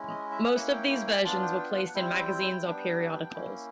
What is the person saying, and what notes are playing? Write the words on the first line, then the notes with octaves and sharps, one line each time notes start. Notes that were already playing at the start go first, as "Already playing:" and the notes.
Most of these versions were placed in magazines or periodicals.
Already playing: G#3 C#4 E4
D#5
E5
A#3 C#4 E4 F#5
G5
G5
G#5
B3 D4 F4 A5
G5
G5
F#5
G3 C4 E4 G5
G3 B3 D4
A#3 C#4 E4